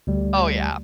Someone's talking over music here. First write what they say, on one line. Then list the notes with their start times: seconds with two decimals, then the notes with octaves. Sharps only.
Oh, yeah.
0.07 D2 G3